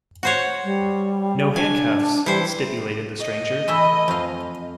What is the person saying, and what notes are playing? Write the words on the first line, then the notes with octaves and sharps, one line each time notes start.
"No handcuffs," stipulated the stranger.
F#4 C5 C#5
G3
D4 G#5
E3 G3 C5
D#5
E3 A3 E4
F2 F5